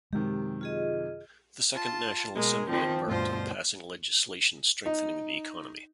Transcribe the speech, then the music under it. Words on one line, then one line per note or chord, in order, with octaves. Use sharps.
The Second National Assembly embarked on passing legislation strengthening the economy.
F#2 C3 D#3 G#3 G4
F4 G#4 D#5
F4 A5
B2 G#3 A#4
D#3 F3 C4
D2 G2 B2 F3 F4 C5
D#4